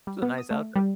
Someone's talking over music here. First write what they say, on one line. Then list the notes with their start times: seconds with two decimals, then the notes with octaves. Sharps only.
It's a nice outfit.
0.07 G3
0.22 B3
0.38 D#6
0.51 A3
0.76 G3